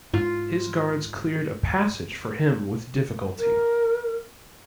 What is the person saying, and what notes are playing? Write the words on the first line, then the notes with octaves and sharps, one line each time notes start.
His guards cleared a passage for him with difficulty.
G#2 F4
A#4